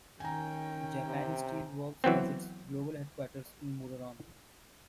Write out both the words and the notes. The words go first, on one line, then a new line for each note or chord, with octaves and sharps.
Japan Steel Works has its global headquarters in Muroran.
D#3 C#4 G5 G#5 A#5
C3
E3 F#3 B3 C4